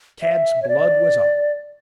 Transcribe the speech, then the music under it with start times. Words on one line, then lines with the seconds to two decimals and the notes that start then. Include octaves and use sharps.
Tad's blood was up.
0.22 E5
0.62 C#5
0.68 D5